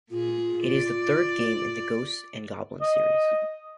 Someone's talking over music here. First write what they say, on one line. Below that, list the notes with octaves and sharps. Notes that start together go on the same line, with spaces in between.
It is the third game in the "Ghosts 'n Goblins" series.
A#2 F4 G#4
D5
D#5